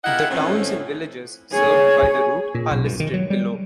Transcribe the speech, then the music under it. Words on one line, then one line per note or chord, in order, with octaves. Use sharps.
The towns and villages served by the route are listed below.
E4 F4 G4 A#4 D#5 F#5
A2 E3 F3 A3 C4 C#4
G#4 C#5
A#2
B1
G2
D#3
F#3
G3